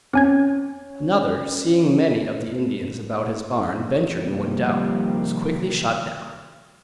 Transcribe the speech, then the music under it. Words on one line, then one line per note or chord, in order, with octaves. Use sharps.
Another, seeing many of the Indians about his barn, ventured and went out, but was quickly shot down.
C4 C#4 G#5 G#6
C3 D#3 F3 G3 A#3